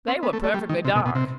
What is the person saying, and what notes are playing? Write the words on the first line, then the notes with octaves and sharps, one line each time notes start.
They were perfectly dark.
C4
B3
A3
A3
G3
D#3
C3
B2
B2
C3